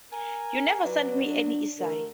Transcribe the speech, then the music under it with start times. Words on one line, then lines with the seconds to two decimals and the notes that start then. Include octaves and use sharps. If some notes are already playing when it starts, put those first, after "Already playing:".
You never sent me any essay.
0.11 A#4 G#5
0.84 F#3 B4 D5
1.24 D4
1.79 D3 G3 A3 A#4